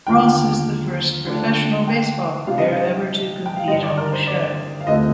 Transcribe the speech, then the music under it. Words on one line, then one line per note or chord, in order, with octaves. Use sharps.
Ross is the first professional baseball player ever to compete on the show.
D#2 D3 F3 A#3 G5
D3 A3 D4 F4
G5
C3 G3 D4 F4 F5
D#5
F5
G5
F5
G2 D3 G3 D#5
D5
A#4
C5
D5
F5
D2 D3 A3 C4 F4 D#5